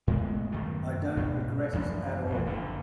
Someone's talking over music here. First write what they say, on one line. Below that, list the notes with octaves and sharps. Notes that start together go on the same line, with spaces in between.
I don’t regret it at all.
A2 G#3 B3
F#2 D#3 A3
G#2 B2
A1 F#2 F3
A#1 F2 E3
F#1 D3